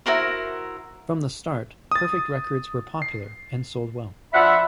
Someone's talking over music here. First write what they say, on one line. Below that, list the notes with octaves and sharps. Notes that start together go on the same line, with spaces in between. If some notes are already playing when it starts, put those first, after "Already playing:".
From the start, Perfect Records were popular and sold well.
E4 F#4 A#4 C5
D#6 A6
C7
F3 D4 E5 F#5 B5